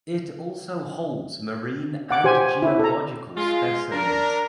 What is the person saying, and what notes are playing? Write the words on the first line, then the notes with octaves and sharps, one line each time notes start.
It also holds marine and geological specimens.
F#5 D6
G4 C5 G#5
G#5
E4
A4 A#5
G#3 F4
D4 A#4